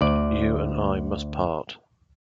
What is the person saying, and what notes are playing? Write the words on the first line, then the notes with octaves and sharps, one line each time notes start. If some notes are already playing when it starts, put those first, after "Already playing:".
You and I must part.
D2 D5